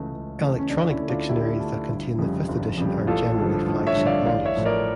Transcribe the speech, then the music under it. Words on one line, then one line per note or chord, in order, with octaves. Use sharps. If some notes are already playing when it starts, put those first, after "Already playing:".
Electronic dictionaries that contain the fifth edition are generally flagship models.
Already playing: C#2 C#3 E3 A3 C#4
C#2
C#3 E3 A3
C#4
D2 D4
C#4 E4
D3 A3
D4 F4
D2 E4 G4
D3 A3
G1
F2 C#3 G3
G1
F2 C#3 G3
A1 F4 A4
G2 D3 F3
A1
C#5 E5
G2 D3 F3
D5 F5
A1 D5 F5
C#5 E5
A2 F3
A#4 D5